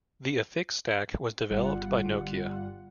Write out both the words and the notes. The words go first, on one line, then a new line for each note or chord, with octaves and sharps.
The Affix stack was developed by Nokia.
G1 G3 F4 F#5